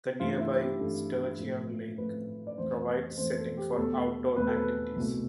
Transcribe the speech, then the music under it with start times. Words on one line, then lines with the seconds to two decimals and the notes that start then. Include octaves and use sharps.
The nearby Sturgeon Lake provides setting for outdoor activities.
0.20 G2 E3 A3 F4
0.40 E4
0.60 G4
0.79 G2 E3 A3 A4
1.39 A2 F3 A3
1.98 A2 F3 A3 B4
2.47 D5
2.58 F2 E3 A3 C5
3.17 F2 E3 A3 C5
3.37 A4
3.57 G4
3.77 E2 B2 A3 A4
4.36 E2 B2 A3 B4
4.46 A4
4.56 B4
4.96 C2 B2 A3